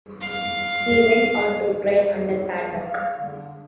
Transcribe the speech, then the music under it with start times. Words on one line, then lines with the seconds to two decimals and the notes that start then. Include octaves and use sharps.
He went on to train under Pat Buck.
0.21 F5
2.85 F5
3.19 D3